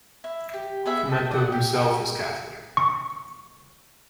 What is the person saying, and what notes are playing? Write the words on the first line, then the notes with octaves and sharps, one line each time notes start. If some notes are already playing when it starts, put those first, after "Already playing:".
Fumento himself is Catholic.
E4
G4
B3 G#4 E5
D#5 A5
D5 F#5
G4
C#6